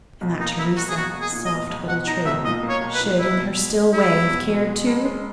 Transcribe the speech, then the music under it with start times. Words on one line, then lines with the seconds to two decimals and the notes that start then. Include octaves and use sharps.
And that Theresa, soft little traitor, should, in her still way, have cared too!
0.21 B1
0.40 A#3 D#4
0.59 A#3 E4
0.77 B1 F#4
0.89 G#4
0.95 A#3 F#4
1.14 B1
1.20 G#4
1.33 A#2
1.46 D#5
1.52 B1
1.70 B1
1.88 B1 F#5
2.07 D#4 A#5
2.25 B1 E5
2.44 A#2 D#5
2.63 A#3
2.69 C#5
2.81 B1
2.94 B4
3.01 A#2
3.18 F#1 E4
3.37 B2
3.56 G#3
3.74 F#1
3.92 G#3 E4
4.11 E2
4.30 B2
4.49 B2
4.67 G#3
4.86 F#1
5.05 G#3